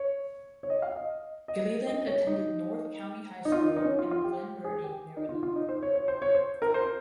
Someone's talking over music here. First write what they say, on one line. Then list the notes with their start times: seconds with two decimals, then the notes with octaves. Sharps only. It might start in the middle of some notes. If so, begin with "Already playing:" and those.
Gilleland attended North County High School in Glen Burnie, Maryland.
Already playing: C#5
0.63 C#5
0.70 D#5
0.82 F5
0.96 D#5
1.48 D#5
1.87 D#5
2.07 C#5
2.27 D#4
3.45 D#4
3.52 F4
3.60 D#4
3.76 D#4
3.85 C#4
3.99 F4
4.11 F4
4.24 G4
4.64 G#4
4.84 G4
5.17 D#4
5.29 F4
5.43 F4
5.56 D#4
5.69 C5
5.83 C#5
5.95 C#5
6.08 C5
6.22 C#5
6.35 C5
6.62 A#4
6.74 C5